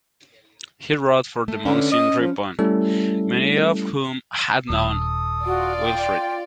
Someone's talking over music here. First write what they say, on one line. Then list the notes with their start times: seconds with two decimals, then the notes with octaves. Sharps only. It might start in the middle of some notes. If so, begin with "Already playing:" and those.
He wrote for the monks in Ripon, many of whom had known Wilfrid.
1.48 A3
1.65 D3 C#4 B4
1.92 D#5
2.20 F3
2.59 G3 A3 C#4 E4 A4
4.70 D#1 A4 D#6
5.47 F4 F#4 D5
5.83 G5